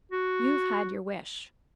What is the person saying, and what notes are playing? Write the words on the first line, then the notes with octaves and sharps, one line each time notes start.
You've had your wish.'
F#4